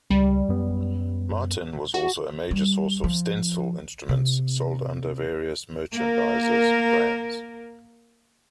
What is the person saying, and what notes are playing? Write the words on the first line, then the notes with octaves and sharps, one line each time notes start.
Martin was also a major source of "stencil" instruments sold under various merchandisers' brands.
C#2 G3
F#2 B3
F#4
G3
F3
C3
A#3 A#4